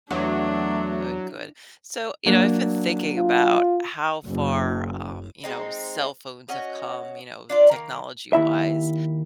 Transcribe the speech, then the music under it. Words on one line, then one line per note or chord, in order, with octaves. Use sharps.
Good, good. So, you know, I've been thinking about how far, um, you know, cell phones have come, you know, technology-wise.
E2 F#3 A3 D4
F#3 A#3 D4
F4
F#1
G#3 C4 D#4
C#4 F#4 D#5
D4 F4 D5
D#3 A#3
D#2 E4 E5